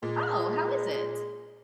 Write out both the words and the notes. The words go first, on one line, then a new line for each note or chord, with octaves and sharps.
Oh, how is it?
A#2 G#3